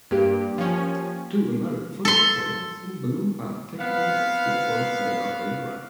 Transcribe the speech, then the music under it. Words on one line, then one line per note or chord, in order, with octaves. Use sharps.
Two American football players in blue are tackling a football player in red.
G2 A#3 G4
F3 C#4
A4 C6
B3 C4 B4 F5